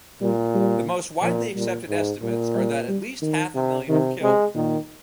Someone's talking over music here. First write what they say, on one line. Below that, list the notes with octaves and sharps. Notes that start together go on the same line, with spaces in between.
The most widely accepted estimates are that at least half a million were killed.
A#2 G3
G3
A#2 F3
A#2 G3
G#2
A#2 G3
G3
G3
D#3
C3
C3 D#3
C3 G#3
A#2 D#3